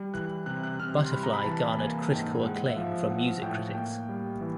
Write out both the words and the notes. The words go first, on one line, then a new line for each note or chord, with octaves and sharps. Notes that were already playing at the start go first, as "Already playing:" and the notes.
"Butterfly" garnered critical acclaim from music critics.
Already playing: G3
E3 F#6
C3 F#6
F#6
C3 F6
C6
G3 B5
A#5
B5
E3 A5
A#3 G#5
G#2 G5
G#3 F#5
E5
F3 F5
B3 F#5
A2 G5
A#3 G5
G3
E3